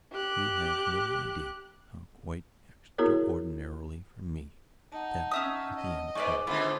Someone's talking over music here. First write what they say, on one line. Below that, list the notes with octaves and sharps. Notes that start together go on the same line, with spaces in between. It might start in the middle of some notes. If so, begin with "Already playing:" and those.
You have no idea how quite extraordinarily for me that was the end of Florence.
G4 F#6
B3 E4 F#4 G#4 A#4 C#5
D#4 F#5 A5
C#4 E5 D#6
D#5
G#2 B4 D5 G#5 C#6 D6
G#2 D3 B3 F4